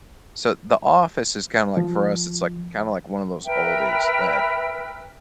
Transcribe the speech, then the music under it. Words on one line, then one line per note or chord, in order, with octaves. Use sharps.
So, The Office is kinda like for us, it's like kinda like one of those oldies that
F3
A#4 B4 E5 G5